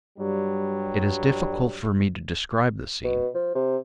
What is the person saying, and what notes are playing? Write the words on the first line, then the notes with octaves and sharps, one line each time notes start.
It is difficult for me to describe the scene.
G2 F#3 G3
B2
F3
C3